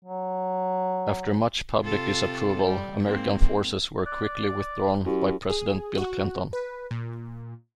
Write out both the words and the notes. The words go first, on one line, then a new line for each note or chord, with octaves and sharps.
After much public disapproval, American forces were quickly withdrawn by President Bill Clinton.
F#3
C3 F4 A4
G3
G#2 A#3 C4
D5 F#6
F#2 E4 F#4 G4
G#4
F#4
B4
A#2